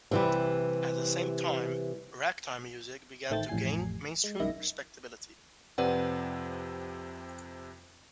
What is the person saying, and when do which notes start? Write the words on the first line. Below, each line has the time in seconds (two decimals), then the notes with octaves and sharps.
At the same time, ragtime music began to gain mainstream respectability.
0.11 C3 E3 G3
3.30 A1 D#3 A3 C5 G5 A6
3.48 A1 F2 A2 G3 G#5 C7
4.24 G#3
4.40 B1 F#2 D#3 E4 A#6
5.78 F2 C3 C4 B4 D5 F#5